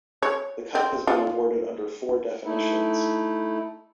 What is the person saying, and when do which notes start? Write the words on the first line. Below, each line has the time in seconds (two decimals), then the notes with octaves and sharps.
The Cup has been awarded under four definitions.
0.23 C#5
0.75 C4
1.07 F4
2.45 A3 D#4 E4